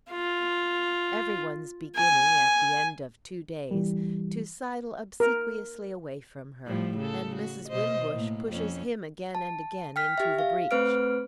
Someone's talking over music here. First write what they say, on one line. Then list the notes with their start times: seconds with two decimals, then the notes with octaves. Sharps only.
Every one's beginning--at the end of two days--to sidle obsequiously away from her, and Mrs. Wimbush pushes him again and again into the breach.
0.10 F4
1.96 G#5
3.71 E3 G3
5.20 A#4
6.66 A2 F3 G3
6.99 C#3 A4
7.36 F#4
7.69 B2 C5 D#5
8.11 A2 A#3
8.49 F2 C#4
9.35 A5
9.96 G5 F6 B6
10.18 G4 E5
10.39 F5
10.71 A3 C4 B4 C5 F6 D7